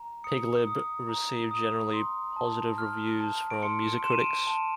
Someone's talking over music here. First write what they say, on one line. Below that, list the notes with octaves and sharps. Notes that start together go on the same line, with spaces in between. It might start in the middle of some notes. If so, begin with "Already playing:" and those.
"Pig Lib" received generally positive reviews from music critics.
Already playing: A#5
D#6 C#7
D#6
A#5
D#6
C6
A5
F6
A5
D7
C6 C#7
C6 E7
D#7
D7
D#7
A5